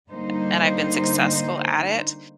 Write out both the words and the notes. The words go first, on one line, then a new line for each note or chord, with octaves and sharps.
a and I've been successful at it,
D3 G3 A#3 D#4 C5